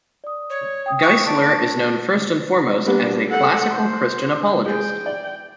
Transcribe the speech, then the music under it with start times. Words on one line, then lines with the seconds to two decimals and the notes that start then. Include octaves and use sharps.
Geisler is known first and foremost as a classical Christian apologist.
0.24 D5 D#6
0.50 C#5
0.86 G5 D#6
1.02 C#6
1.26 D5 A5 C#6
2.86 G3 A#3 B3 D4
3.28 A4 F#5
3.71 C5 C6
4.66 G#3 G#4 G5
5.06 D5